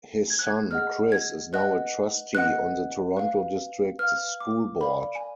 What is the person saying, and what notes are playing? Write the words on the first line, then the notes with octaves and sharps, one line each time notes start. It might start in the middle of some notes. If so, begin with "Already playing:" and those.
His son Chris is now a trustee on the Toronto District School Board.
G#6
F#6
G#6
G#4 D#5 F#5 F6
G#6
B4 D#5 F#5 F#6
B4 D#5 F#5 F#6
B4 F5
B4 F5 F6
D6
A#4 D5 F5 B5
G#5